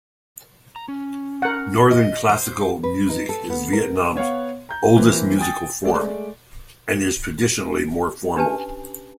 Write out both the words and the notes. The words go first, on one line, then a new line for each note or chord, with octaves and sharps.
Northern classical music is Vietnam's oldest musical form, and is traditionally more formal.
A#5
C#4
A#4 F#5
D#5
C5
B4
D#4
A4
B3
A#4
B3 C#5 F5 F#5
A#5 G6
E3 A#3 C4
G5 G#5 D#6 A6
G#3 A3 D5
C#4 D4 G4 B4 G#5 A5